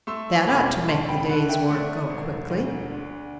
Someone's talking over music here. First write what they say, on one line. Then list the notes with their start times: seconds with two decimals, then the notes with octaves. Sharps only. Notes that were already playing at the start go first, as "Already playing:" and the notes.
That ought to make the day's work go quickly.
0.07 A3 C6 E6
0.48 E1 B5 D6
0.88 D2 A5 C6
1.01 A5
1.08 G5 B5
1.20 B5
1.29 D3 F#5 A5
1.49 E5 G5
1.69 A3 D5 F#5
2.10 E1
2.50 D2
2.90 D3